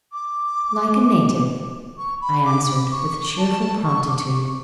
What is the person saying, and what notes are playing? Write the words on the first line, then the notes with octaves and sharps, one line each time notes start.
'Like a native,' I answered, with cheerful promptitude.
D6
C#6
B5
D6
D6
C#6
A5
C#6
D6
C#6